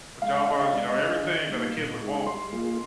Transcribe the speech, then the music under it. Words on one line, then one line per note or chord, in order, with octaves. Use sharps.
pajamas, you know, everything that a kid would want.
G#3 F5
F5
D4 G#4 D#5
F5
G#3 D5
D#5
D4 G#4
D#5
D#3
G3 A#3 D#4
A#2
G#3 D#4 G#4
G3 C6
A#3 F4 G#4